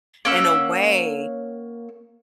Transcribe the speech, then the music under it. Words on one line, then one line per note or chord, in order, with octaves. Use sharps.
in a way
A#3 C#4 F#5 E6